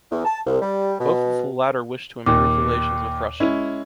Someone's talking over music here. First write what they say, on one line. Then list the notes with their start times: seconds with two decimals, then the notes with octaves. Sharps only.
Both of the latter wish to improve relations with Russia.
0.12 E2
0.25 A5
0.46 C2
0.62 G3
0.99 B2
2.26 D#2 A#2 D6
3.40 G#3 C#4 E4